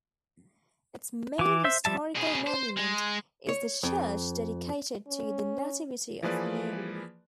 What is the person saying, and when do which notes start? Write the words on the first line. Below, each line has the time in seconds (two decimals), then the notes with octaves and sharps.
Its main historical monument is the church dedicated to the Nativity of Mary.
1.39 E3 D6
1.64 C5 E5 E6
1.85 F3 G3 E5 A5
2.16 B2 G#4
2.47 C5
2.77 G#3
3.49 C#5
3.83 F2
5.08 C#4
6.22 E3 F3 A#3 G#4 B4 D5